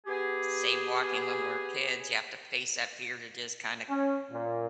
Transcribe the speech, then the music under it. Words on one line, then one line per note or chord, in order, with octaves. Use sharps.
say, walking when we're kids, you have to face that fear to just kinda
B3 G4 G#4
C#4
A#2